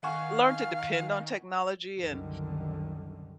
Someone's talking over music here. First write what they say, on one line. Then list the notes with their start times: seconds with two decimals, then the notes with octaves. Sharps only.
learn to depend on technology. And,
0.03 D#3 F5 F#5 G#5 C#6
1.98 C2 F#2 D3 D#3